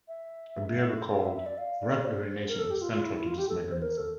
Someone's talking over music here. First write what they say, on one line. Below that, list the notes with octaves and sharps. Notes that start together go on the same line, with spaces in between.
A behavior called "rub-urination" is central to this mechanism.
E5
F5
E5
E5
D5
F5
D5
C5
A#4
A4
G4
F4
F4
E4
E4
F4
G4
A4
C5
A#4
A4